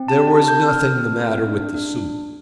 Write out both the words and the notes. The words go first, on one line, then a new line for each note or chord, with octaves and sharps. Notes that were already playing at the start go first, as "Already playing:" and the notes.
There was nothing the matter with the soup.
Already playing: C4
A5
G4
A5
C4
G6
A4 F6
C4
C4
D4
D4